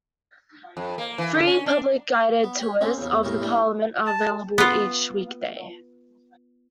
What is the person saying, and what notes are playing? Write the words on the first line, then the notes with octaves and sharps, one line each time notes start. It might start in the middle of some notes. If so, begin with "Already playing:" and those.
Free public guided tours of the Parliament are available each week day.
F2
A#3
E3
D3
C#4
D4
B3
G4 C#5
A#3 C4 C#4 G#4
E2 C#3
B1 A2 C3 A#4 C#6
E3 G3 A3 D4
A5
B3 F4